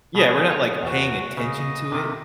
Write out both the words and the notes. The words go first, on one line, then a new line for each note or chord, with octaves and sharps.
Yeah, we're not, like, paying attention to it
B2 G#4
C#5
E2 F#4
C#3 D#5
C3 D#3